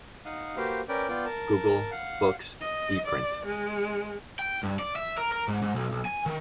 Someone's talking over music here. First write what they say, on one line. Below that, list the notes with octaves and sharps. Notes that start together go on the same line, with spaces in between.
"Google Books" Eprint.
D#4 F5 F#5 D#6
A#3 F#4 G4 B4 C5 F5
C#4 A#4 B4 D5 G5
B3 F4 D5 G5
A#4 A5
F5 F#5
D#5
D5
G#3
G5
G2
D5
E5
A#4
A#4
G#2
G#2
B1
B1
G#5
D#3